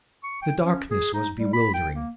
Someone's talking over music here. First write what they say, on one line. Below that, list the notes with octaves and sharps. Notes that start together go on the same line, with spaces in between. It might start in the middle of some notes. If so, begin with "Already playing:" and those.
The darkness was bewildering.
C#6
G5
C#4
G#4
D#4
G3
B5
G5
A#3